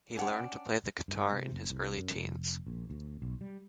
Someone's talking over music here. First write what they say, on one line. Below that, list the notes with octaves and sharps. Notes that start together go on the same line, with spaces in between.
He learned to play the guitar in his early teens.
C#4 D4 F#5 G5
G2
C3
F#1
C2
F#2
F1
A#1
D2
B1
G3